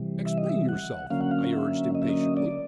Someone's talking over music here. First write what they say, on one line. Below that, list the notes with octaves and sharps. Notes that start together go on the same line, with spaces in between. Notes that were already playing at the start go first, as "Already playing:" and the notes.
"Explain yourself," I urged impatiently.
Already playing: C3 E3 G3
E5
D#5
E5
F#5
D3 F#3 A#3 C#4 F5
F#5
F5
E5
D#5
E5
D#5
D5